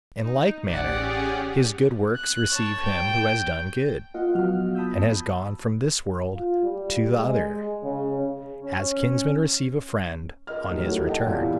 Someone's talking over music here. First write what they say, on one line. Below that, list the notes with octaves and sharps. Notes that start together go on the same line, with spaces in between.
In like manner his good works receive him who has done good, and has gone from this world to the other;--as kinsmen receive a friend on his return.
D#4
A1 C#4 G4 G#4 D5 F#5
F#6
C#5 A5
G5
A#3 F4 D#5 F5 F#5
A#1 F3 F#3 B3 F#4 F6
A5 B5 D#6 E6 G6
F4
G3
G#3
C#3
C#4
A#4 D#5 F6
A2 D#3 F#3 G3 A3
E4 F#4 G4 A4 A#4 C#5
D#5 F#5 G5 A5
E2 A#2 E3 G3 E4